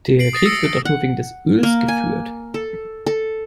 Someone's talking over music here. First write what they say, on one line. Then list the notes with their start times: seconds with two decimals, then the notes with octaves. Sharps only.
Der Krieg wird doch nur wegen des Öls geführt.
0.19 C7 D7 F#7
0.33 D#6 A6 A#6 C7
0.46 D#6 E6 A#6 C7 C#7
0.63 D7
0.85 F#5
1.63 A#3
1.88 G#5
2.54 A4
3.06 A4